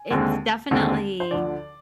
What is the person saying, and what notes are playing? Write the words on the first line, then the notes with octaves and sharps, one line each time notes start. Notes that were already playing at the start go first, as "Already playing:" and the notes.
It's definitely
Already playing: G#5
D#2 D3 G#3 C4
D#2 D3 G#3 C4
C5
D2 D3 F3 D5